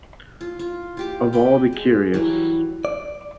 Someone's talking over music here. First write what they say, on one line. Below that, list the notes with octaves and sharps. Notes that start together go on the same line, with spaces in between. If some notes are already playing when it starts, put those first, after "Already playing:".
Of all the curious!
F4
F4
F4 G4 D6
D5 D#5 G5 B5
G#3
E3 F#3 G3
D5